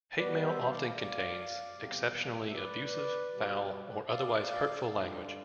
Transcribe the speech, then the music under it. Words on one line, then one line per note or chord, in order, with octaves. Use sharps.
Hate mail often contains exceptionally abusive, foul or otherwise hurtful language.
B2 G3 B4 D5
C5 E5
D5 F5
D5 F5
E2 C3 G3
E5
B4 D5
B2 G3
E5
D5 F5
G2 D3 G3